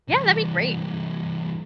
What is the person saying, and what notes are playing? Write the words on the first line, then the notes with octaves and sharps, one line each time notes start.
Yeah, that'd be great.
C2 E3